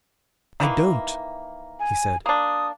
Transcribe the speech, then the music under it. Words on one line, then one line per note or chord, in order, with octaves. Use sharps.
"I don't," he said.
D#3 E3 A#3
G#5
A#3 D4 D#6